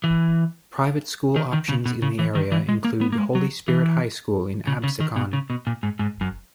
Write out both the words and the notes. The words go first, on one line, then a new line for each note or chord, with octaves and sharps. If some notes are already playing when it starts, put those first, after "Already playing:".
Private school options in the area include Holy Spirit High School in Absecon.
E3
D#3
D#3
C#3
B2
C#3
E3
D#3
E3
G#3
A#3
B3
A#3
G#3
F#3
E3
C#3
C#3
D#3
B2
C#3
B2
A#2
G#2
G#2
F#2